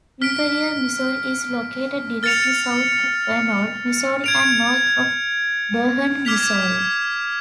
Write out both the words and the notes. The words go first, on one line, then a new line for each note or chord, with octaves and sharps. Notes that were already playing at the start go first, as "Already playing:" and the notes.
Imperial, Missouri is located directly south of Arnold, Missouri and north of Barnhart, Missouri.
F6 B6 D7
F6 A6 C#7 F7
G#6 D7 F7
D6 F6 G#6 B6 F7